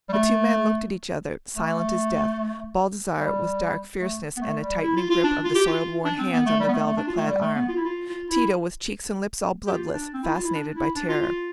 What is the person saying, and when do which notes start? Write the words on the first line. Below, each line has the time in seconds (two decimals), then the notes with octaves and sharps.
The two men looked at each other, silent as death: Baldassarre, with dark fierceness and a tightening grip of the soiled worn hands on the velvet-clad arm; Tito, with cheeks and lips all bloodless, fascinated by terror.
0.09 G3
0.13 A3
1.56 A3
3.19 G3
4.00 A3
4.37 B3
4.41 A3
4.62 G3
4.83 E4
4.96 F4
5.10 F4
5.24 D4
5.43 F4
5.55 G4
5.67 F4
6.05 D4
6.19 C4
6.32 B3
6.46 A3
6.60 G3
6.68 B3
6.73 A3
6.87 A3
6.97 D4
7.07 F4
7.17 A3
7.27 G3
7.41 A3
7.55 B3
7.68 F4
7.77 E4
7.85 F4
8.09 F4
8.30 E4
9.67 G4
9.72 F4
9.93 D4
10.13 C4
10.23 E4
10.34 F4
10.44 E4
10.54 D4
10.75 E4
10.95 D4
11.09 F4
11.22 F4